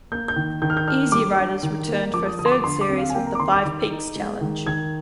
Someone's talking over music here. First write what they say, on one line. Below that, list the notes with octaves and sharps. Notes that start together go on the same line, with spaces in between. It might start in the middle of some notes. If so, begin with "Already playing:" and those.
"Easy Riders" returned for a third series with The Five Peaks challenge.
A#3 G6
G6
D#3
D#3 G6
F6
G6
D4 F6
G3 D6
D4
D#3
A#3
F3 D6
D#6
D3 D#6
C6
D6
D3 C6
D6
C4
F5
G#5
A#3 G5
A#5
D6
D#3 C6
D6
D#3
D#4
G#3
D#3
D#3 G#6